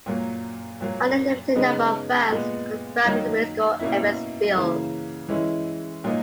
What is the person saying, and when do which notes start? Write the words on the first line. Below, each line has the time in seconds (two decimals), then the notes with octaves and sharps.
Only a limited number of fans could cram into minuscule Ebbets Field.
0.06 A#2 F#3 A#3
0.81 A#2 F#3 A#3
1.56 C#3 G#3 B3 D#4
2.30 A#2 G#3 B3
3.05 D#3 F#3 A#3 D#4
3.80 B2 A#3 C#4 E4
4.55 C#3 E3 A#3
5.29 E3 G#3 C#4 E4
6.04 A#2 F#3 A#3 D#4